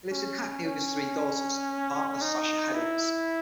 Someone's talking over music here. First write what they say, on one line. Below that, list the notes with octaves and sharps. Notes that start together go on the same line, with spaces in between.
He lives in Hackney with his three daughters and partner Sasha Hails.
C#4
C#4
D#4
E4